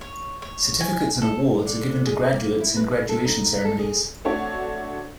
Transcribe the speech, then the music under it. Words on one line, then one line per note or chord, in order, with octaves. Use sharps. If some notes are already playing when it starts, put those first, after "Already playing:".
Certificates and awards are given to graduates in graduation ceremonies.
C#5
C#5
G#5
A4
D3
G#4
A#3
E4
B4
A4
D#4
A4
G#4
A3 C4 D4 F#4 C#5